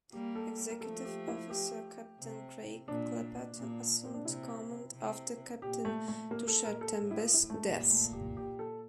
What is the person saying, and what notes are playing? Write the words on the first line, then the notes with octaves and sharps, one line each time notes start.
Executive Officer Captain Craig Clapperton assumed command after Captain Tushar Tembe's death.
G3 A#3 G4
A4
A#4
F3 A3 A4
G4
E4
G4
C3
A#2 D4
A#2
C4
D4
C3 E4
C3
A#2 G4
A3
A3
A2 A#3
A4
A#2 A#4
A4
A2
E4
F4
E4
A3
A#2 G3
A3
G4
G4
A4